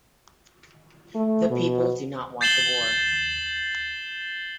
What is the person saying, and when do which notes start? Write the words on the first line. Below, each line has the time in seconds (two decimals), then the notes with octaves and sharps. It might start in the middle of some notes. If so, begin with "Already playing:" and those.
The people do not want the war.
1.15 A3
1.50 B2
2.41 G6 A6 C7 E7 F#7 G7